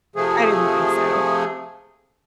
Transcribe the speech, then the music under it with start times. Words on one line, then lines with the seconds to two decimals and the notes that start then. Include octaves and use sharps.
I didn't think so.
0.16 C3 F3 A3 G#4